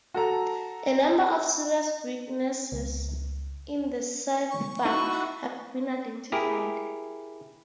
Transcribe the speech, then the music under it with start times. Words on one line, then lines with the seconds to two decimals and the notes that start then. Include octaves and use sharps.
A number of serious weaknesses in the cipher have been identified.
0.14 F#4 A4 A#5
2.72 C#2
4.51 C#6
4.85 D#4 E4 F#4
6.32 E4 G4 G#4 A#4